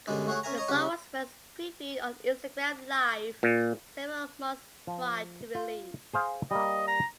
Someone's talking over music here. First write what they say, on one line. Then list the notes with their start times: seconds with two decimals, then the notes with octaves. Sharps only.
The song was first previewed on Instagram live several months prior to release.
0.07 F#2 B2 D3 G3 G#3 D4
0.27 A3 F#4 G#4 C#5 F#5
0.43 C#4 A#4 E5 G#5 A#5
0.57 C#5 D#5 A#5 D#6
0.68 C#3 G3 F#4 G4 B4
3.43 A#2
4.87 F3
5.55 F4
6.13 G#4 C5 F5
6.51 G3 A#3 D#5
6.88 A#5